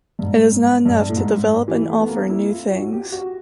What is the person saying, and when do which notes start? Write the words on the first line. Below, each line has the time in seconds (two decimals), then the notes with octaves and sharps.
It is not enough to develop and offer new things.
0.19 G2
0.22 G#2
0.86 G2
1.09 A2
1.17 G#2
1.68 E3
1.89 A3
2.00 B3
2.09 A#3
2.30 E4
2.51 F4
2.71 F#4
2.93 G4
3.12 F#4